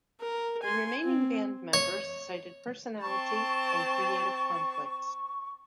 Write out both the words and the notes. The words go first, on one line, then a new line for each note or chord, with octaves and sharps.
The remaining band members cited personality and creative conflicts.
A#4
G#5 C6
C4
C#5
C4 A5 C#6